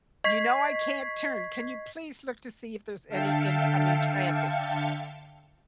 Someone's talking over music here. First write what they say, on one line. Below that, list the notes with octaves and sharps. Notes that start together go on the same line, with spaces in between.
you know I can't turn, can you please look to see if there's any incoming traffic?"
D#5 C#6 G#6 B6 C7
D3 E5 F5 G5 A5 C#7